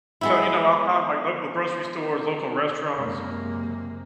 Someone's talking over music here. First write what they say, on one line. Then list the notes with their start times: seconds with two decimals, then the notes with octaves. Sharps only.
so, you know, I find, like, local grocery stores, local restaurants,
0.21 G#3 B3 E4
2.96 F#1 F#2 C3 G#3 A#3